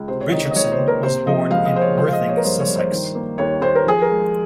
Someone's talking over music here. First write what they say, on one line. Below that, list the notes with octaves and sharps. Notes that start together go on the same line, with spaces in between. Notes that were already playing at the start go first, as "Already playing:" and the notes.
Richardson was born in Worthing, Sussex.
Already playing: C#2
C3 C5
C#5
D#3 D#5
C#5
D#5
C#2 C#5
C5
A#3
A#4
C3 C5
F3 D#5
C#2 F5
D#5
G#3 C5
C#5
F3 C5
F5
D#5
A#3
C#5
A#4
G2 C5
C#5
G2
C5
D#3
A#3
D#2 C#5
D#2 C5
A#4
F3 G#4
A#4
G#3